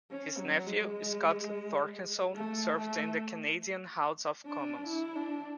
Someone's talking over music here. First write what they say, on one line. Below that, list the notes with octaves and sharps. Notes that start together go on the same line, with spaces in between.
His nephew Scott Thorkelson served in the Canadian House of Commons.
C#4
F#3
G#3
A3
A3
D4
E4
D4